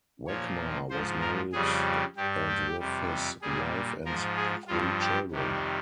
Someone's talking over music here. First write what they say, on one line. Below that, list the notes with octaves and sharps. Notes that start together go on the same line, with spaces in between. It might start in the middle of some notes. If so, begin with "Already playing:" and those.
Wechmar was married and with his wife had three children.
A#2 F3 C#5
G#2 F3 C5
A#4
F2 C#3 G3 G#4
G2 G3 G4
G4
F2 C3 G3
A#2 G3 G#4
G#2 F3 A#4
G#4
G2 F3 F4
G4
F2 C3 D#3 G3